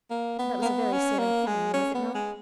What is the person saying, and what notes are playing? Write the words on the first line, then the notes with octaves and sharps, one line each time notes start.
That was a very silly feeling, was it not?
A#3
B3
A#3
B3
C#4
A#3
G#3
C#4
B3
G#3